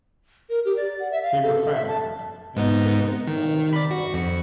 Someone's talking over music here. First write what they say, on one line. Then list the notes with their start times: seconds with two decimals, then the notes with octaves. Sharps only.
They were found and signaled all was well.
0.50 A#4
0.65 G4
0.77 D5
1.00 F#5
1.12 E5
1.23 F5
1.43 A4
1.74 E5
1.88 A5
2.56 G#2 B3 D#4
3.27 D#3
3.73 D5 B5
3.91 F#4 C#6
4.14 F2 C#7